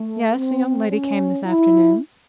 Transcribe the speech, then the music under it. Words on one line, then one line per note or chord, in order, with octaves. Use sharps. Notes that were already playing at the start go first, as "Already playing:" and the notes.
"Yes; a young lady came this afternoon."
Already playing: A3
C4
C#4
E4